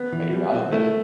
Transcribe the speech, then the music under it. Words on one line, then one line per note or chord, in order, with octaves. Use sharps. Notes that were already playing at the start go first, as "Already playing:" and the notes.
I do not admit it.
Already playing: B3
E3
G3
C4
A3 E4